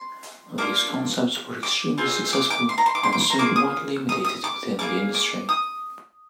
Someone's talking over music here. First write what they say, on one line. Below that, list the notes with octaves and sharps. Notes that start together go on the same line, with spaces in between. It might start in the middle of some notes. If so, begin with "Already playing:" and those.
These concepts were extremely successful and soon widely imitated within the industry.
Already playing: C6
A#3 D4 F4 D6
D6
C4 F4 G#4
D6
D6
C6
A#5
C6
D6
C6
D6
C6
A#5
A#3 F4 G#4 D6
D#6
D#6
D#6
D6
A#3 F4 G#4 D6
D6
D#6